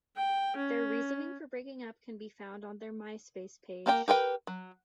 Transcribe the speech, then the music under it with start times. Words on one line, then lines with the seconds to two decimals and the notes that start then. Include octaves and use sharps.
Their reasoning for breaking up can be found on their MySpace page.
0.16 G5
0.57 C#4
3.86 A#3 G4 A#4 C#5 G5
4.08 G4 A#4 B4 G5
4.47 F#3